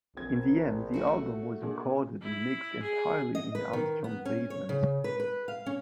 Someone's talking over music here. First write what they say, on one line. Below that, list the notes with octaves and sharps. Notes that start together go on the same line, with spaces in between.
In the end, the album was recorded and mixed entirely in Armstrong's basement.
A#1 C4 G#6
A3 F#4
A#2 D4 G#4
E4
G#4
D#5
B4
D#3
B3
C#4
C#5
C#3
B4
B4
F5
C#4